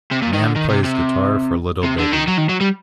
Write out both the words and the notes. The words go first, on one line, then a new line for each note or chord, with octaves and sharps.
Man plays guitar for little baby.
C3
A#2
D#3
D3
D#3
C3
C3
C3
D3
D#3
F#3
D#3
F#3
G3